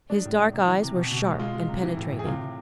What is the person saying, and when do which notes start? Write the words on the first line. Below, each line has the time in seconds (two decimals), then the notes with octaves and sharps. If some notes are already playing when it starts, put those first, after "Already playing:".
His dark eyes were sharp and penetrating.
0.10 G#3 D4
0.25 A2
0.39 G#3
0.53 C3
0.67 E3
0.83 C3
0.96 B2
1.12 B2
1.26 G#3
1.39 G#3 F4
1.55 G#3
1.68 C3
1.83 E3
1.97 A2
2.12 A2
2.19 G#4
2.26 C3 F4
2.41 C3